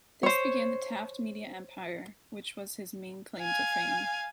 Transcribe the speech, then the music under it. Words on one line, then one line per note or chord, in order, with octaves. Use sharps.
This began the Taft media empire which was his main claim to fame.
C5 C#5
F5 G#5